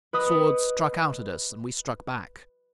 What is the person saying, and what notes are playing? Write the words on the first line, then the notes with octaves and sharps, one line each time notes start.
Swords struck out at us, and we struck back.
B4 D#5 D#6